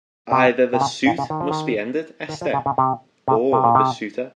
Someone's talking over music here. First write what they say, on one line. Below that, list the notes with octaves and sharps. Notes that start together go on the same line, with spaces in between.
Either the suit must be ended, Esther - or the suitor.
C3
C3
C#3
A#2
C#3
D#3
F3
D#3
D#3
F3
C#3
C#3
C3
C3
C3
A#2
C3